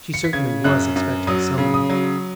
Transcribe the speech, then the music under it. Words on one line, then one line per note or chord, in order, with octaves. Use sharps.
She certainly was expecting some one.
C#7
B6
C#3 G#6
F#2 F#6
F#2
F#3 D#6
C#3
D#6
F#3